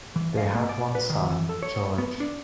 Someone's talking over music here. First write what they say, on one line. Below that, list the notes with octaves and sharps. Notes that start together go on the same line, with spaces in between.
They had one son, Gheorghe.
E3
F5
A#3
D5
B4
D#3
E3
A4
C#5
B3
D4